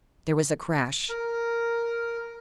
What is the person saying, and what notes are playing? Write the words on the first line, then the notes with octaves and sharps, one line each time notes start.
There was a crash!
A#4